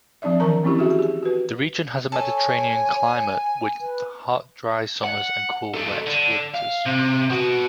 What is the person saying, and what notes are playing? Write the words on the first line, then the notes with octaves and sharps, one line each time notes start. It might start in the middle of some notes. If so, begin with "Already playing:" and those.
The region has a Mediterranean climate with hot dry summers and cool wet winters.
F3 C4 D4 D5 E5
D#3 E3 A#4 A5 A#5
A#3 C4 C#4 E4 G4
F#4 G#4 E5
G4
F#4 B4
A4 C#5 G#5
B4
F#5
F#3 A4
D3
F5
C3
B3 F#4